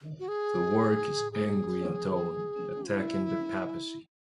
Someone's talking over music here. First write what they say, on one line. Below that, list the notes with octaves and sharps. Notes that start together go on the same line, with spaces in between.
The work is angry in tone, attacking the papacy.
F#4
G#4
G#4
E4